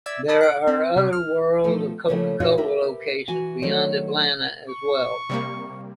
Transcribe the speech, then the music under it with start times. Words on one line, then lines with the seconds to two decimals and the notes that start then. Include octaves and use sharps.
There are other World of Coca-Cola locations beyond Atlanta as well.
0.06 D5 E5 E6 G#6
0.28 A4 D5 D#5 A5 B5
0.41 F#6 D7
0.67 C4
0.96 C3 G3
1.13 F6
1.64 B2 D#3 F3 A3 F4 A4
2.08 C#3 F3 A3 A#3 C#4 D4
2.40 A#2 G#3 D#4 F4 F#4 C#5
2.57 G4 A#4 B4 E5
3.28 E3 F#4 G#5
3.62 D#3 F#3 A3 D4 C5 C#5
4.69 C#6
5.29 C3 G3 A#3